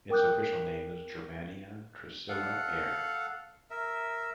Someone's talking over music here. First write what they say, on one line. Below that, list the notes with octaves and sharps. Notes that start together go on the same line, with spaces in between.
Its official name is Germania Trisila Air.
A#4 G5 D6 D#6 F#6 G6
A4 F5 F#5
A#4 E5